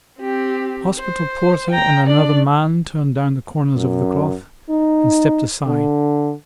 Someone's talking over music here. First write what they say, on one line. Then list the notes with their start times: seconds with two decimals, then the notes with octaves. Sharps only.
The hospital porter and another man turned down the corners of the cloth, and stepped aside.
0.19 C4 G4
0.99 C5
1.70 G5 A#5
2.06 D4 D5
3.76 F#2
4.70 D#4
5.66 D3